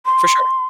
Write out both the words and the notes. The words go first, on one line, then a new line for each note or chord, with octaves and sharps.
For sure.
C6